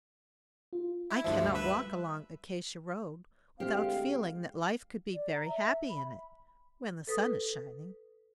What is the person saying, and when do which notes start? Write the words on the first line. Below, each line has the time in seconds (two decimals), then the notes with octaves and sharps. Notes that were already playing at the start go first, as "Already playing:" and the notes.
I cannot walk along Acacia Road without feeling that life could be very happy in it--when the sun is shining.
0.73 F4
1.10 E4
1.24 D2 G2 F3 E5
1.55 G3 B4 E5
3.60 D2 G#3 C4 G4 F5
5.13 D5
5.34 A#5
5.48 E5
5.90 B5
7.07 A4 B4 D#6